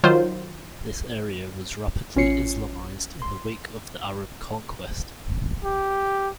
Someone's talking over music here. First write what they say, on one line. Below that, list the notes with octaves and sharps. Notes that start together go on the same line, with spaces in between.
This area was rapidly Islamized in the wake of the Arab conquest.
D#3 F#3 F4 C5
A1 C#4 F4 C#5 C7 C#7
C6
G4